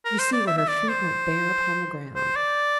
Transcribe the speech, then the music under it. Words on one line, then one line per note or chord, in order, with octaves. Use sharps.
You see where her feet went bare upon the ground.
A#4
C5
D5
E5
E5
D5
C5
C5
D5